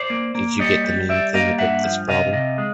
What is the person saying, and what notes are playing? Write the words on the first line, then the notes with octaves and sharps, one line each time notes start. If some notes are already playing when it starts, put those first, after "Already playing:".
Did you get the main thing about this problem?
Already playing: C5 D5
A#3
A#3
G3 C#5 D#5
G3
G3 D5 E5
A#3 D#5 F5
G2 E5 F#5
F3
C3 D#5 F5
C3
G#3